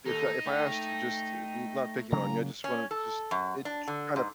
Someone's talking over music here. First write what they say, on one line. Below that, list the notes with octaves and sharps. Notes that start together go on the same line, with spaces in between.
if I if I asked you just n not picking on you, I just want to just it j kinda
D#2 D#4 A4
A3 G5
C#3 F#3 A#3 A#5
C#4
A4
F#2
D4
D3
G#2